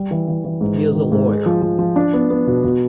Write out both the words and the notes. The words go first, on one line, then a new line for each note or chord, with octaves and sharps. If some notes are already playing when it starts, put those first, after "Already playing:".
He is a lawyer.
Already playing: G3
E3
E3
E3
G#2
D#3
D#3
G#2
G#3
F3
F3
F3
D4
B3
B3
B2
B2